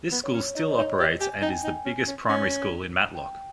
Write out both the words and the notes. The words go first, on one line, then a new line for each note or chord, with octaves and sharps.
This school still operates and is the biggest primary school in Matlock.
B3
C#5
C#4
D#4 D#5
C#5
D#5
D#4
G4
G4 G#5
D#4
G5
G#5
D#4
C#4
C#4
C#4
G5